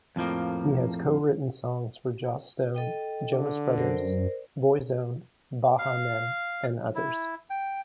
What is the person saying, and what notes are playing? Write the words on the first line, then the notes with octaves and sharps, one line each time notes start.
He has co-written songs for Joss Stone, Jonas Brothers, Boyzone, Baha Men and others.
F2 A2 F3 A#3
A4 D#5 G5
D3 D6
F#2 A#4 C5 D5
F5
E4
G5